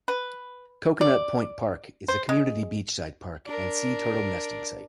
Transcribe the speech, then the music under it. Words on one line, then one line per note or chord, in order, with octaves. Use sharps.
Coconut Point Park is a community beachside park and sea turtle nesting site.
B4
D5
C5
G#3
D4 A#4